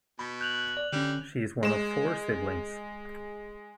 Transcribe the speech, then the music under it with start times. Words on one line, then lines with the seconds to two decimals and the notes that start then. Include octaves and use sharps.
She is one of four siblings.
0.19 B2 B5
0.41 F#6 G6 F7 F#7
0.77 D5
0.93 D3 G3 C#4
1.63 G#3 E7